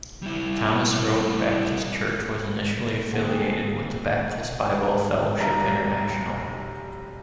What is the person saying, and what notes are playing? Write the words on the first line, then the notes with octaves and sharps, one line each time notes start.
Thomas Road Baptist Church was initially affiliated with the Baptist Bible Fellowship International.
G3 E4
D3 A#3 C4 G#4 A4 F#5
F1 B1 G3 A#5